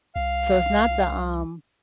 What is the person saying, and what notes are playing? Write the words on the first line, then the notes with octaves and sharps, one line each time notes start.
so it's not the, um,
C2 F5